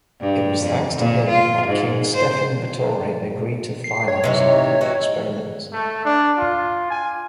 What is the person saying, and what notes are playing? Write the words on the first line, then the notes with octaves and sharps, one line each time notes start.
It was thanks to him that King Stefan Batory agreed to finance their experiments.
G2
F2
A#2
F4
G#2
C5
C7
C#5
C3 E3 D#4
E3 D#4 F#4
A3
D4
F4
G#5